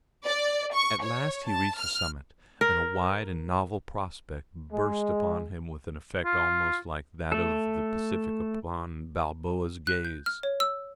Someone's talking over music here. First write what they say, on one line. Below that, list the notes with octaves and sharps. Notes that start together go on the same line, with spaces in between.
At last he reached the summit, and a wide and novel prospect burst upon him with an effect almost like that of the Pacific upon Balboa's gaze.
D5
C#6
C#5
A5
F6
A#4
G#3
F4
A3 A4
F#6
G6
F6
C#5
E6